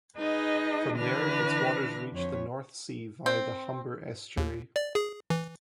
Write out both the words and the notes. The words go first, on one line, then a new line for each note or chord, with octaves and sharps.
From there, its waters reach the North Sea via the Humber Estuary.
D#4 G#4 B4 D#5
D3 E3 D4 B4 F6 A#6
F2 C#5
C4
D#2
D5
G#4
E3